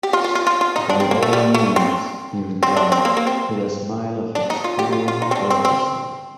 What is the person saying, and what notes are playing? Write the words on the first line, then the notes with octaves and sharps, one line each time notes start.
"By all means," he replied, with a smile of extreme courtesy.
G4
F4
F4
F4
F4
F4
D#4
D4
C4
A#3
A3
G3
A3
C4
C4
D4
C4
A#3
A#3
C4
D4
D#4
F4
G4
F4
F4
D#4
C4
D4
C4
C4